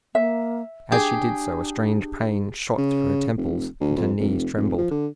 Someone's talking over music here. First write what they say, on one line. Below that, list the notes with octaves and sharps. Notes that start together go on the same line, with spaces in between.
As she did so, a strange pain shot through her temples, and her knees trembled.
A#3 E5
D4 G4 G#4
C#3
F1
D2
F2
F1
F1
F3
D3